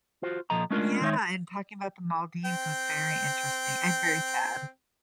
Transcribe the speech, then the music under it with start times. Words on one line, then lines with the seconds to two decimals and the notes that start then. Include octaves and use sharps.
Yeah, and talking about The Maldives was very interesting and very sad.
0.23 F4 F#4 C5
0.50 A#2 F3 A4 D#5 A#5
0.71 G#3 A3 C#4 D4 F4 A#4
1.01 D#3 G#3 D#4 C#5 E5
2.45 C4 G5